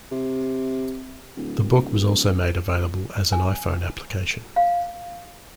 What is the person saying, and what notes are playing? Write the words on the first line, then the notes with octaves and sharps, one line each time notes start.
The book was also made available as an iPhone application.
C3
D1
G#5
F5